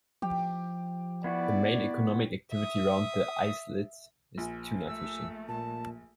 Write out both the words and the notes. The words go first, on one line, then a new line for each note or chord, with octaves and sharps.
The main economic activity around the islets is tuna fishing.
F3 G4
B3 E4 F#4 D5
E5 D#6
A#1
A3 E6
A#2 A5